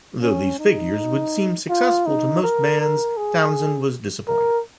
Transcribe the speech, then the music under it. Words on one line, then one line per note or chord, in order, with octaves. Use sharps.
Though these figures would seem successful to most bands, Townshend was disappointed.
C#4
D#4
F4
D#4
A#4
A#4
G#4
A#4